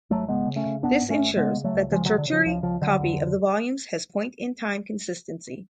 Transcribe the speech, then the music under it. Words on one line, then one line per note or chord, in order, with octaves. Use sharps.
This ensures that the tertiary copy of the volumes has point-in-time consistency.
G#1 F#3 A3
C#3 G#3 B3
C#3
A3 C#4
C#3
G#1 B3 D4
G#2
A3 C#4
G#1
C#3 G#3 B3
C#3
F#3 A3
C#2
C#3 F3 G#3
C#3 D3 F#3
D3
C#3 F3
C#2 F3
C#2 F3
C#2 D3 F#3
F2